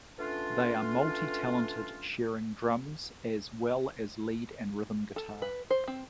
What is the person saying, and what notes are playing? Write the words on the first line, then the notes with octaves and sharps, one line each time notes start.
They are multi-talented, sharing drums as well as lead and rhythm guitar.
A3 B3 C#4 D4 F4
A4
B4
C5
C4